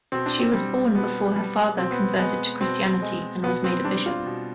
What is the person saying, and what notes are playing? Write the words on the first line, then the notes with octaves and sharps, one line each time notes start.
She was born before her father converted to Christianity and was made a bishop.
B2 C4
D4
C4
G3
B2 B3
G3
B2 C4
B3
G#3 B3
B2 C4
G#3
B2 B3
C4
G3 D4
F4
B2